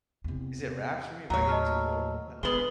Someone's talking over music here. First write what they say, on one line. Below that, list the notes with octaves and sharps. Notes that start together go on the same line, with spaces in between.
"is it wraps for me? Am I getting too old? Am I old?"
E2 C3
D#2 A2 F#3 C#5 A#5
D#5 A5 F6
D3 G#3 B3 B4 F#7 G7